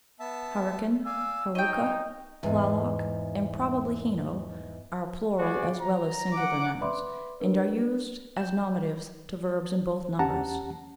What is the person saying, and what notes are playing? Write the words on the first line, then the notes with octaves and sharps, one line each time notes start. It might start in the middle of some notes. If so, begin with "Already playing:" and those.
Hurakan, Haokah, Tlaloc, and probably Heno, are plural as well as singular nouns, and are used as nominatives to verbs in both numbers.
B3 E5 A5
D5 F5 G#5 E6
D#4 C#5 D#5 G5
E2 G#2
F#4 G#4 D5
A#5
F#5 D6
B4 D5 E5 B5 C6 D6
D4 A#4 B4
G6 E7
E2 C#4 G4 F#5 A5 A#5